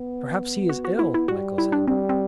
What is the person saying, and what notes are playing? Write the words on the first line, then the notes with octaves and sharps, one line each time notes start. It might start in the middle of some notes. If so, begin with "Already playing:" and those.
"Perhaps he is ill," Michael said.
Already playing: B3
F#4
F#4
E4
E4
G3 F#4
E4
D4
G3 C4
C4